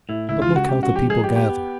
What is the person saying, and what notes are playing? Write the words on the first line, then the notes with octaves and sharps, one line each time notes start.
"But look how the people gather!"
A2 E4
C#2 E4
F4
C#3
F#4
C#2 G4
F#4
F3
G4
G#3 G#4
G4
B3
G4
B3